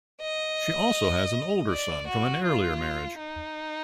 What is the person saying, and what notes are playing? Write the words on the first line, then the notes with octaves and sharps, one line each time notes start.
She also has an older son from an earlier marriage.
D#5
D5
F#4
F4
D#4